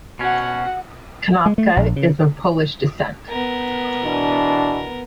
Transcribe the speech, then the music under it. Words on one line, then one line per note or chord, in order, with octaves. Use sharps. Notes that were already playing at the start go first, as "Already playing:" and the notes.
Konopka is of Polish descent.
B2 C#4 F#4 F#5
G#3
A3
A#1
C#3
B3 A#4
B2 E3 D4